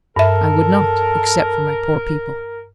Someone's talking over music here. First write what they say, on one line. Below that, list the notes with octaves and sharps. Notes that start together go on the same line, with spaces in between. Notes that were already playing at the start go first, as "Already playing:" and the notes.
"I would not--except for my poor people."
G2 A4 A#4 E5